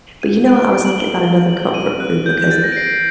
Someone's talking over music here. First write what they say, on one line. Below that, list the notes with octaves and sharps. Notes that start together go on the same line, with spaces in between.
But you know what? I was thinking about another comfort food, because
D#7
D7
D7
F#7
G7
G7
F#7
D#7
F#6
G6
G6
A6
A#6
D7
C7